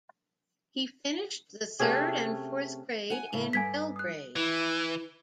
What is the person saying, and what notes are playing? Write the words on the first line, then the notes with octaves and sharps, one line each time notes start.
He finished the third and fourth grade in Belgrade.
C3 A3 C#4 G#4
F#5 G#5
A2 C#3
G2 G#5 G#6 B6
D#6 F#6
E3 E4